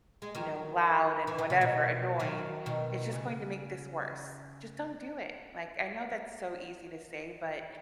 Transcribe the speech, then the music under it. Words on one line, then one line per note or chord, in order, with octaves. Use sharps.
you know, loud and whatever annoyed, it's just going to make this worse. Just don't do it, like, I know that's so easy to say, but
G#3
D#3 F#3
E3
D#3
C#3
B2 D#3
D#3 F#3
B2 D#3
C#3